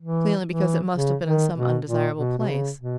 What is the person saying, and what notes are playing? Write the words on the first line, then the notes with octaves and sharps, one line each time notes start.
Clearly because it must have been in some undesirable place.
E3
E3
C#3
D#3
B2
A#2
B2
B2
C#3
B2